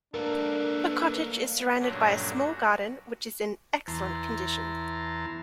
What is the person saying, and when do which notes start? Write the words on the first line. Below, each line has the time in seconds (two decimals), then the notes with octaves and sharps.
The cottage is surrounded by a small garden which is in excellent condition.
0.14 A3 A#3 D4 A#4 B4
1.79 G2 A#2 F#3 A3 C#4 D4
2.35 F#4
3.88 E2 E3 A5 A#5 C6